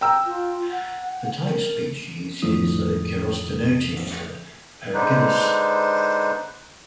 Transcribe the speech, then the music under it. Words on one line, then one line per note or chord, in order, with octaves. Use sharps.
The type species is "Chirostenotes pergracilis".
G5 A#5 E6
F4
F#5
A#4
G#1 F2 A2 D3 F3 D#6
D3 G#3 D4 D#4 B4 C5